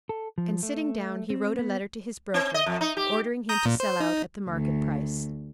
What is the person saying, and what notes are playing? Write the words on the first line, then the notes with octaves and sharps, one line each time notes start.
And, sitting down, he wrote a letter to his broker, ordering him to sell out at the market price.
A4
F3
A3
C4
B3
C4
D#5
F2
D#4
G4
A#5 D#6 G6
A#2
C5
D#4
D2